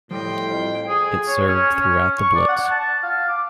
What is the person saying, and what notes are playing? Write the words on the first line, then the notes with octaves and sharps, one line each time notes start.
It served throughout the Blitz.
A2 F3 G3 D#5 G5 C6
F2
G#4
C#5
C#4
C#4
C#6
D5
F#5
A5
F5
D6